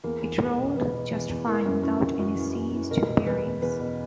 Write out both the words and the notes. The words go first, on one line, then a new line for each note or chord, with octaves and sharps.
It rolled just fine without any seized bearings.
E2 A#3
E2
E2
B2
E2 B3
B2
E2
E2
E3 A#3
F#2
E3 C#4
F#2
F#2 F#4
E3
F#2
E3
B2 A#4
B2
E2 B4
B2
E2 B4
B2